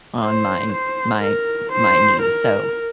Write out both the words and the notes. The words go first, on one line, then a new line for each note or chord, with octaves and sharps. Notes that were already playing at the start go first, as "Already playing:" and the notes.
on my my my knees." So
C5
C5
A#4
C5
A#4